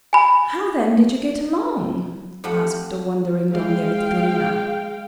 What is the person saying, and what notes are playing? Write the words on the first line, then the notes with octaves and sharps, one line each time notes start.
"How then did you get along?" asked the wondering Dona Victorina.
G#5 B5
F2 F3 A3 G4 F#5
G#3 F5 G5